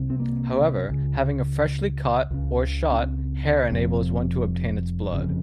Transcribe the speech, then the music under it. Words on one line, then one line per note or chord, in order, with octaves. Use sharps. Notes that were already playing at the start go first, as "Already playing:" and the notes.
However, having a freshly caught, or shot, hare enables one to obtain its blood.
Already playing: C2 C3
C4
A#3
C#2 C#3
C#2 C#3
C#4
C4
F1 F2 C3
G1 F2 C#3